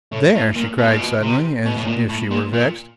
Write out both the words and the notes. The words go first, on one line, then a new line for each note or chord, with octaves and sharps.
"There!" she cried suddenly, as if she were vexed.
A2
A2
A#2
B2
A#2
B2
C3
B2
A2
A#2
A2
A#2
A#2